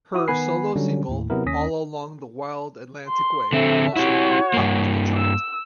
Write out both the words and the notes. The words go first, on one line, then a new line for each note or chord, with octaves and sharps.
Her solo single "All Along the Wild Atlantic Way" also topped the chart.
E4 F#4 D#6
D#3 B3 B4 G#5 B5 C7
D3 F#3 G3 C#4
D#2 A2
C3 F#3 B3 E4 A#4
D#2 C#4 D#6 A#6 B6
C6
D3 A3 C4 E5
E4 F#4 G4 C#5
G2 A#3
E6